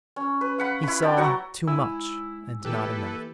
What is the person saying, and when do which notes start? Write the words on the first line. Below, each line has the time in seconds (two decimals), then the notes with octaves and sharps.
He saw too much, and not enough.
0.16 C#4
0.41 B4
0.58 F5 F#5 B5
0.83 E4 B5
1.02 D5 G5 A5
1.17 F#3 F#5 A#5 C#6
1.68 G#2 E4 C#5 G#5 E6
2.65 E3 A#3 E4 G4 A4 B4